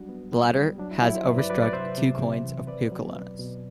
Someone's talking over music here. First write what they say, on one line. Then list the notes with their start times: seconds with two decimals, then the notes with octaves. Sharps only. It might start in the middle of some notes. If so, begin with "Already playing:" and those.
The latter has overstruck two coins of Peucolaos.
Already playing: F#3 G3 D4 F#4
0.09 B3
0.32 B3
0.55 G3
0.79 F#3 D4
0.91 E4
1.02 F#3 E4 G4
1.14 C5 E5
1.26 G2 B4 D5
1.38 B4 D5
1.50 F#3 B4 D5
1.62 B4 D5
1.73 C3 C5 E5
1.98 C3
2.21 C3
2.44 E3
2.67 C4 B4 D5
2.92 F#3
3.15 B2
3.39 B2